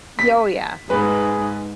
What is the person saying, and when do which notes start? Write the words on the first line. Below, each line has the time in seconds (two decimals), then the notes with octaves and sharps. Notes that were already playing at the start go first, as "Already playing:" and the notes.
Y oh, yeah.
0.19 B6
0.90 G#2 G#4 B4